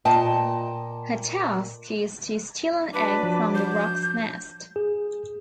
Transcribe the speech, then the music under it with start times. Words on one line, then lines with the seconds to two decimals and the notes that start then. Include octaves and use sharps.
Her task is to steal an egg from the Roc's nest.
0.05 A#2 D#5 G5 A5
2.94 F#3 D4 B4 A5 D6
3.23 F3
3.55 G6
4.76 G#4